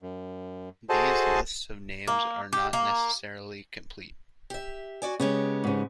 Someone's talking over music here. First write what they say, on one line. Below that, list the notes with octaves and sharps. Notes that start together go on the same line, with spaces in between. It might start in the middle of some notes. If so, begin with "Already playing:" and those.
These lists of names are not necessarily complete.
F#2
F#4 G#4 A4 C5 D#5 A5
A#3
G4
A#3
G4 E5
F#4 D5 G#5
C#3 G#3 B3 G4 C#5
G#2 C#3